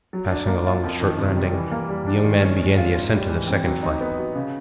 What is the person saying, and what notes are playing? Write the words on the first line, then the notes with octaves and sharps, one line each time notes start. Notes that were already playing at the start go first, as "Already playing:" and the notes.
Passing along a short landing, the young man began the ascent of the second flight.
F#3
D4
A#3
F4
F2
D#3
C3
G3
E3
A#3
G3
D4
D#3
C#4
G#3
F4
G#2
G3
E3
C4
F#3
D#4
B3
F#4
C#3